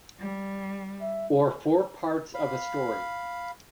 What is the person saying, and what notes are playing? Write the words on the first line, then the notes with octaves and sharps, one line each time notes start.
Or four parts of a story.
G3
E5
F5 B5